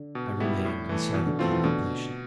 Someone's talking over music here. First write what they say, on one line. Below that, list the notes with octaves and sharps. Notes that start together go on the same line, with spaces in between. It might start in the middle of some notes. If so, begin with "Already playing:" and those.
I remained in silent contemplation.
Already playing: D3
B2
G3 B3 E4
A2
E3 A3
B2 E3
D3
E3 A3 C4 F4
E3
B2 D3